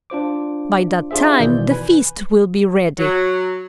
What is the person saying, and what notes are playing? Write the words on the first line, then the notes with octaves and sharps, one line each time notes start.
By that time the feast will be ready.'
D4 F4 C5 D6
D4 F4 G4 G#4 C5 E5
A1 B2 D#3 E3 D5 G6
B4 G#5 B5
F#3